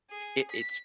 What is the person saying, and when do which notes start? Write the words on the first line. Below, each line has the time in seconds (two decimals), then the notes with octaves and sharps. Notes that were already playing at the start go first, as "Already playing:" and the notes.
it it's
0.10 G#4
0.51 B6